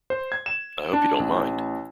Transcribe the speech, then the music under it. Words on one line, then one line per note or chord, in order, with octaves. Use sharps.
I hope you don't mind.
C5
G#6
E7
D4
A1